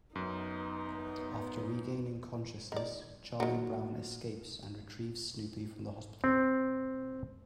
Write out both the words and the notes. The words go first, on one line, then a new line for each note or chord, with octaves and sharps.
After regaining consciousness, Charlie Brown escapes and retrieves Snoopy from the hospital.
F#2 B3 D#4
D#3 D5
A#2 D#3 F#3 F#4
C4